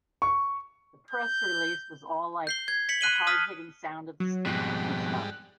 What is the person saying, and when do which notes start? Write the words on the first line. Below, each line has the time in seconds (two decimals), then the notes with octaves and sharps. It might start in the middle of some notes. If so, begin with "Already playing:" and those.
The press release was all like, the hard-hitting sound of the streets and stuff.
0.22 C#6
1.11 G6
2.47 G6 C7 G7
2.68 G#6
2.89 B6 C#7 F#7
3.01 F#6 C7 D#7 F#7 G7
3.27 A5 D#6 F6 B6
4.20 F#3
4.46 F2 G#2 B2 G3 F#6